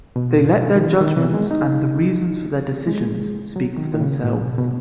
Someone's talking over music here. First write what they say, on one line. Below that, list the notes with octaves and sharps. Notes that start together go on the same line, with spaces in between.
They let their judgments and the reasons for their decisions speak for themselves.
B2
D#3
E3
D#3
E3
G#3
D#4
G#3
F#3
D#3
D#3
C#3
A2
B2
B2